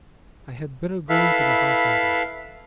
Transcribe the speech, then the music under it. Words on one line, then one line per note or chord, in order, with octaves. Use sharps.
I had better go into the house and die.
E4 A4 B4 E5 F5